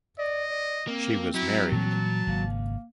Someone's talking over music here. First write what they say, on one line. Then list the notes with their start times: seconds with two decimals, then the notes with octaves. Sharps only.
She was married.
0.19 D5 D#5
0.50 D5
0.87 A#3 C4
1.35 F#3 E4
1.72 A#2 E3 G3 A5
2.27 G#1 C#3 A#3